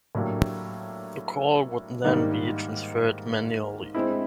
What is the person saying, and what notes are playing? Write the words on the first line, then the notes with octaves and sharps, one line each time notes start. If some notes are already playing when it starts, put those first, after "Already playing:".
The call would then be transferred manually.
A2 F#3 A#3 D4 G4
G#2 D#3 G3 A#3
G#3 C4 E4